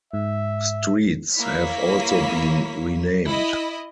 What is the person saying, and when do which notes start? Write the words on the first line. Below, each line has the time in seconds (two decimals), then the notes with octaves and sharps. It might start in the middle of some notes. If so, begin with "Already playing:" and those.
Streets have also been renamed.
0.13 G#2 E5
1.35 A#3 E4 C#5 B6
3.28 E4 D#5